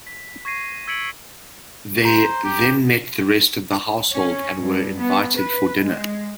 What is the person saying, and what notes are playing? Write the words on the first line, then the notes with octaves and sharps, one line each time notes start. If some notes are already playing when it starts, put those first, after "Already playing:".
They then met the rest of the household and were invited for dinner.
B6
C#6 G#6 A#6 C7 D#7
E6 G#6 B6 C#7 D7 F#7
C5 A#5
G4
C#4
G2
B3
B4
G#3